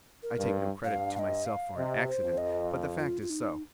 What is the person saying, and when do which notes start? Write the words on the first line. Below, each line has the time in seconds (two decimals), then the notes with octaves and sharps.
I take no credit to myself for an accident, but the fact is so.
0.23 A#4
0.38 G2
0.84 G2 F5
1.15 F5
1.19 D#5
1.46 F5
1.76 C3 D#5
2.06 C5
2.22 F2
2.38 D#5
2.99 F4
3.22 F4
3.30 D#4